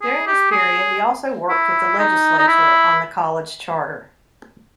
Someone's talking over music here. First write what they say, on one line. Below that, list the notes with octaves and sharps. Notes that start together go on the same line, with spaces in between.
During this period, he also worked with the legislature on the college charter.
G#4
G4
G#4
E4
D#4
D#4
E4